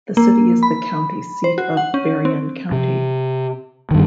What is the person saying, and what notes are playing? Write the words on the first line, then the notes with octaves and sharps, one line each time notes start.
The city is the county seat of Berrien County.
A#3
B5
C5
F#4
F#5
C#4
C4
C3
G2 D#3